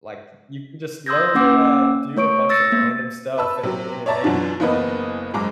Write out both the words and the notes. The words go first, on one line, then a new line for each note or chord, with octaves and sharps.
like, you can just learn to, uh, do a bunch of random stuff and it and it made
C6 D#6 E6 G6 G#6 A#6
A#3 C#4 F#5 D6 E6
A3 C#5 C#6 D7
E6 A6 A#6 C#7
A#3 A6
B4 A5 E6
C3 F#3
C#5 D5 E5 A5 A#5 A6
F#2 B2 E3 D4 F4
F#1 E3 A#3 B3 B4 D#5
F#1 F#2 G#3 A#5 D6